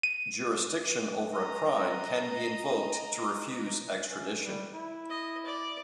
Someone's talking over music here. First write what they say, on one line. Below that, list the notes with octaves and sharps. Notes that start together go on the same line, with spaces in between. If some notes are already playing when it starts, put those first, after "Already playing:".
Jurisdiction over a crime can be invoked to refuse extradition.
D#7
D#5 A#5
C#4
G3
E4
D#5
D5